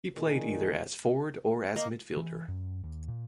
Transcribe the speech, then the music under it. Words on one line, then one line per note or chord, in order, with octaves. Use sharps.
He played either as forward or as midfielder.
A#2 D#3 G#4 A#4
A#3 D#5
E3
F#2
D#2
A#2